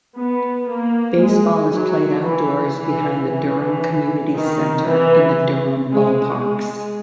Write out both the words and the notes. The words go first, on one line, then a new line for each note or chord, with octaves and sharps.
Baseball is played outdoors behind the Durham Community Centre in the Durham Ball Parks.
B3
A#3
G#3
F#3
E3
E3
E3
D#3
E3
G#3
G#3